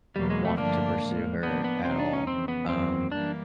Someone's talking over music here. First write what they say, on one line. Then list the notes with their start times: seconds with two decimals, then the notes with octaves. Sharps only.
want to pursue her at all, um
0.16 E2 B2 F#3 G3 A#3
0.30 G#3
0.45 A3
0.58 G2 D3 F3 A3 A#3 D4
1.00 A2 F3 G#3
1.43 A2 F3 A#3 B3 D4
1.64 B3
1.84 B2 F#3 A#3 C4 D#4
1.99 D4
2.13 C#4
2.27 F2 C#3 E3 C4
2.48 B3
2.69 F#2 D#3 F#3 A#3 C4
3.12 E3 G3 A#3 D4